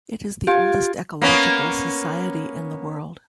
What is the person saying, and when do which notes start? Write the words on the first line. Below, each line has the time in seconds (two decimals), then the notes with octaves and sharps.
It is the oldest ecological society in the world.
0.47 F4 G4 G#5
1.22 A#3 B3 C#4